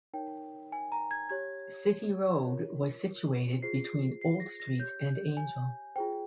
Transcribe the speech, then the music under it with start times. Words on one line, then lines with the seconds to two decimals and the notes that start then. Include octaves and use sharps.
City Road was situated between Old Street and Angel.
0.13 D#4 A#4 C#5 G5
0.72 G#5
0.92 A#5
1.11 G#6
1.29 G4 C#5 G#6
2.46 F4 A#4 C#5
3.62 F4 G#4 C5 C7
4.21 C7
4.40 A#6
4.60 A#6
4.79 G4 C#5 G6
5.37 G#5
5.96 F4 G#4 C5 G5